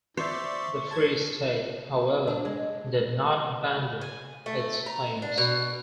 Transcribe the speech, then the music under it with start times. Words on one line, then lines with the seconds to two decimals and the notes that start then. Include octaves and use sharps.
The Free State, however, did not abandon its claims.
0.17 C5 D5 E5 C6 C#6
0.91 A5 G#6
2.28 D4
2.45 G#3
4.01 G#5
4.46 A3
4.86 A#5
5.22 D4
5.38 B2